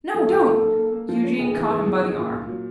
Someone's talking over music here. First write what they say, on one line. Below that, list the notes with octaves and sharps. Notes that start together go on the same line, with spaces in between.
'No, don't!' Eugene caught him by the arm.
F3 A4
A2
A#3
B1
A#3
A#3
F3
C#4
F1 G#4
E3
E3
E2
D#4
A#2
A#2
F#3